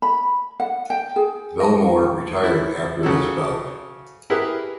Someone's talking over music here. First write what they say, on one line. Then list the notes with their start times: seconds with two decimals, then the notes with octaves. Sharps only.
Villamor retired after this bout.
0.02 B5
0.60 F#5
0.90 G5
1.16 G#4
1.60 D#5
2.44 E4
3.03 C#3 F#3 A4
4.30 E4 G4 G#4 A#4 B4